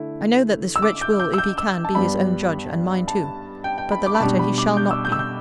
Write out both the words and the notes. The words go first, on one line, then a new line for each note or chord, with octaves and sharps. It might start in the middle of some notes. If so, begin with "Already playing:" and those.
I know that this wretch will, if he can, be his own judge, and mine too. But the latter he shall not be.
Already playing: D3 A3 E4
E6
D6
G6
G6
E6
G6
E6
A5
G2 G3 B3 D4 B5
A5
G5
G5
B5
D6
B5
B2 G3 D4 A5
B5
D6
G6
E6
G6
E6
G6